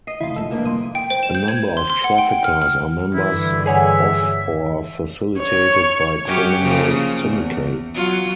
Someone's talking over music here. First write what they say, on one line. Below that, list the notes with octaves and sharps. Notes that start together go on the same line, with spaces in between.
A number of traffickers are members of or facilitated by criminal syndicates.
D#5 D#6 C7
F1 C#2 E4 F4
A#1 G#2 A4
F2 G#2 A#3 D4 B4 F5
C2 C6 D#6
G5
C5
E7
G6
G#6
C6
C6
F#5
G5
F6
F6
G2 D3 E3 E4
G#4 C#5 E5 F#5
C#5
F#2 C#4 G4
C#3 F3 A#3
E2
F#3 F4